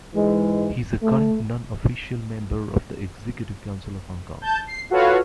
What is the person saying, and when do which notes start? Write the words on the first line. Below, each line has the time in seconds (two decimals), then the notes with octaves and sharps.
He is a current non-official member of the Executive Council of Hong Kong.
0.14 G#2 E3 G#3
1.02 A3
4.42 A5 G6
4.67 C7
4.90 F4 F#4 A4 B4 C#5 F5